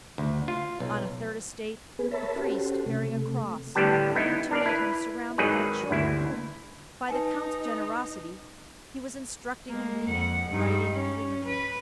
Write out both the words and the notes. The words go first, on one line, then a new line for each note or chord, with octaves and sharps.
On a third estate the priest, bearing a cross, came to meet him surrounded by children whom, by the count's generosity, he was instructing in reading, writing, and religion.
D2
F4
B1
B3 G#4 B4
A#4 C#5 E5 A5 B5
C#4 F#4 G4 A4 C5
C3 A3
A2 D3 G3 B3 G4 A5
B3 D#4 E4
D4 A#4 D5
E4 B4
G#1 D#3 F#3 D#4 G#4 B4
G1 D2 E4
D#4 B4 G#5 A5
G#3 A#3
F2 F#5
G2 D#4
C#4
B4